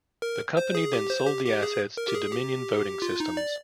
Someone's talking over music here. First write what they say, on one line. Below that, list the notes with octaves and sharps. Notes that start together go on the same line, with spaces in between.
The company then sold the assets to Dominion Voting Systems.
A#4
C5
G#4
G4
C5
G4
G4
G#4
A#4
G4
G#4
G4
F4
D#4
D5